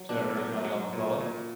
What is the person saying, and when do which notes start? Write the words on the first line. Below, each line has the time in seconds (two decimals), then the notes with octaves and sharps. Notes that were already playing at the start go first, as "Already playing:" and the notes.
Senator John L. McClellan.
Already playing: F#3
0.09 B2 D4
0.37 F#3
0.65 F#3
0.93 A#2
1.21 A#2